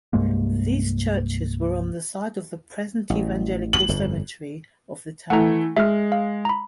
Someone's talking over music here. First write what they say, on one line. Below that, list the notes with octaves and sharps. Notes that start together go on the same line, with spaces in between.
These churches were on the site of the present Evangelical cemetery of the town.
C2 G2 G#3 A#3
A1
F#7
G1 F2
E3 A3 F#5 A#5
G#3 E5 F6
F5
A#5 B5